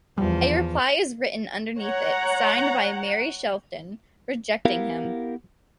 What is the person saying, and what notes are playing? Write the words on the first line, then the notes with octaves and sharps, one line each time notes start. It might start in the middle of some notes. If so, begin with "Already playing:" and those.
A reply is written underneath it, signed by Mary Shelton, rejecting him.
E2 F3 G3
C#5 F#5 A#5
B3 E4 G4 A#4 F5